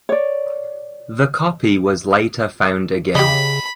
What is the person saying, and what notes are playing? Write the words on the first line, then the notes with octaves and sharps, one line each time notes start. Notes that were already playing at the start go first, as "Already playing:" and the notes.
The copy was later found again.
C#5 D5
C#3 G4 D#5 B5